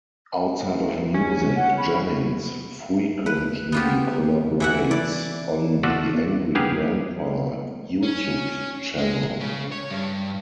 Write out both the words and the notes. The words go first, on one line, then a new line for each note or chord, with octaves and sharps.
Outside of music, Jennings frequently collaborates on The Angry Grandpa YouTube Channel.
C#4
F#5
B5
B4
B3 F4 G4
E3 E5 F#5
E4 D5
F4 F#4 A4 D5 E5
B3 G4 G#4 A#4 F5
C#4
G#3
C#3
C#5
G2